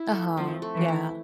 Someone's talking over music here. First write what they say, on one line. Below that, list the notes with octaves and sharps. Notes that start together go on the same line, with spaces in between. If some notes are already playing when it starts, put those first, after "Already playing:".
uh-huh, yeah
Already playing: E4
A3
F3 C4
A3
E3
E4